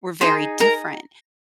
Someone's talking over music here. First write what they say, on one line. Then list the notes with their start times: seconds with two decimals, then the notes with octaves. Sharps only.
we're very different.
0.21 D#4 G#4 C5 C6
0.60 A#4 A#5